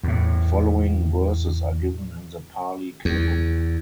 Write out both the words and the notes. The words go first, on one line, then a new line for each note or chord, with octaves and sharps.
Following verses are given in the Pali Canon.
E2 A2
E2